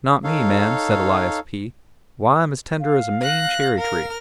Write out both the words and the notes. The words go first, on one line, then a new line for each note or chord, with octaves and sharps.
'Not me, ma'am,' said Elias P. 'Why, I'm as tender as a Maine cherry-tree.
D#4 A4 C#5 F5
F5
F#6 A#6
A#4 F6